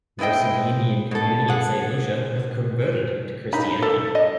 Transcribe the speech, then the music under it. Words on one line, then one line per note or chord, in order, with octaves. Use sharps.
Most of the Indian community in Saint Lucia have converted to Christianity.
B3 C4 E4 D#5 G5
B2 A4
G#4 F#5
D#4 B5
A4
D#5